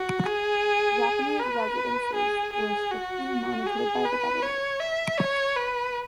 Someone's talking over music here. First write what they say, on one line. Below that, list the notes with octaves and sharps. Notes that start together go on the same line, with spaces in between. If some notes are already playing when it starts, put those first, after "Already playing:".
Japanese residences were strictly monitored by the Government.
Already playing: F#4
G#4
B4
G#4
G#4
F#4
G#4
B4
C#5
E5
C#5
B4